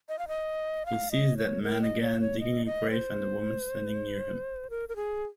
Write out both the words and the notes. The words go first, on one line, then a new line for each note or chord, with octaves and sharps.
He sees that man again, digging a grave and a woman standing near him.
D#5
F5
D#5
F5
D#5
C#5
A#4
D#5
C#5
C#5
D#5
D#5
C5
A#4
A#4
G#4